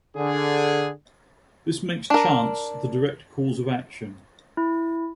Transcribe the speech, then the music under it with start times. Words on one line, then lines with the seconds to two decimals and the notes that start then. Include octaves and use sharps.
This makes chance the direct cause of action.
0.16 D3 G#4
2.10 D4 A#4
4.57 E4